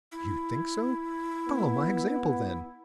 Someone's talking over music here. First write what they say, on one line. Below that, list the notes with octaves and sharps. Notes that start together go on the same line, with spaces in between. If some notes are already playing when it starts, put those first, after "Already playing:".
"You think so?--follow my example, then."
E4
B3